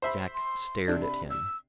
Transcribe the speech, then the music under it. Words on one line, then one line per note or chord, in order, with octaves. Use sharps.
Jack stared at him.
C5 E5 B5
C6
C3 D4
B5
E6